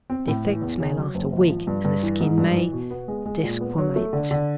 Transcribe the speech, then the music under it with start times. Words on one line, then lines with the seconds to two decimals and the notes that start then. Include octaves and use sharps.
The effects may last a week, and the skin may desquamate.
0.10 C4
0.28 A2
0.45 E3
0.62 E2
0.80 C#3
0.97 F#3
1.15 F#1
1.33 G#1
1.49 F3
1.67 G2
1.85 G2
2.03 E3
2.20 G#2
2.38 G2
2.55 E3
2.72 B2
2.91 B3
3.08 G#3
3.26 G#3
3.43 A#2
3.61 B3
3.78 F#3
3.96 A3
4.13 D3
4.31 D3